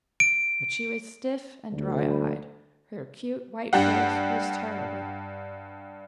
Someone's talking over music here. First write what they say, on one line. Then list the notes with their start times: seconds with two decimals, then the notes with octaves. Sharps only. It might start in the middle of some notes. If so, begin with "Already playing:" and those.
But she was stiff and dry-eyed; her acute white face was terrible.
0.20 D7
1.73 D2
3.73 G2 D4 G4 F#5